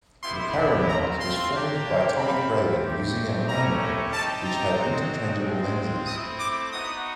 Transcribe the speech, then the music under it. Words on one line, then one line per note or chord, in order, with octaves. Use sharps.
The Paramount was filmed by Tommy Craven using an Eyemo, which had interchangeable lenses.
G#3 B3 E4 G4 C6
A3 C4 F4 A#5
C6
A#3 D4 G4
C4 F4 B5
A3 C4 E4 G4
A3 C#4 E4 G4 A#5
C4 D#4 G4 A5
A#5
G#3 C4 D#4 F#4
G#3 C4 F4
A3 C4 E4 D#6
D6
B3 D#4 F#4 D#6